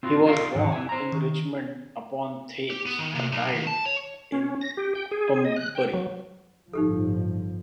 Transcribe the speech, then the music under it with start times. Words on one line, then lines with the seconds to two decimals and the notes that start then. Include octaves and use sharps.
He was born in Richmond-upon-Thames and died in Pembury.
0.03 C4 F4 F#4
0.26 C#4 F4 G4 A#4 D5 F5
0.55 E2 G#2 D3 D#3 F#3
0.72 E4 G#5
0.89 C5 A#5
1.12 D#3
2.70 G4
2.86 B3
2.99 D#3
3.15 C3
3.32 B1
3.54 D#3
3.67 A5
3.86 C#5
4.32 C#4
4.61 A#6
4.77 G4
4.95 G5
5.11 G#4
5.45 D#5
5.56 F#6
5.75 G5
5.94 F#3
6.73 G1 A2 F3 D#4 G4 A4